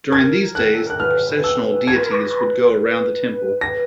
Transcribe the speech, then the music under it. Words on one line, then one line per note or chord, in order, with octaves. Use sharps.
During these days the processional deities would go around the temple.
A#4 G#6
F#6
A4
A#4 F#6
B4 F6
E6
C5 G#6
B4
A#4
B4
A#6